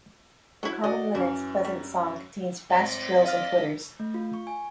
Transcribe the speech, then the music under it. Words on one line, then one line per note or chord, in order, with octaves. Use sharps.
The common linnet's pleasant song contains fast trills and twitters.
F#3 E4
F#4 D5 D#5
F#2 E3
G3
C4 C#5 D5 E5 A6 B6
D#5 F5 F6
A3
F4
C#6
G#5